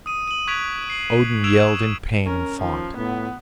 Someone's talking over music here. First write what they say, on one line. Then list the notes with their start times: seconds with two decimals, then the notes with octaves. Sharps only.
Odin yelled in pain and fought.
0.06 D#6 D#7
0.27 D#7 F#7
0.47 C#6 F#6 G#6 B6 D7 F7
0.90 C7 F#7
1.44 E6 G#6 D7 E7 F7
1.68 E7
2.26 C#4 A#4
2.62 D#3 F3
2.97 A2 B3